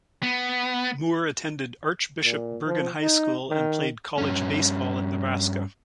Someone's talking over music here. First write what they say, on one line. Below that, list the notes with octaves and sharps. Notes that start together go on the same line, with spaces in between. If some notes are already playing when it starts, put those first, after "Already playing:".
Moore attended Archbishop Bergan High School and played college baseball at Nebraska.
B3
A#2
F3
D#4
D#3
G2 C#4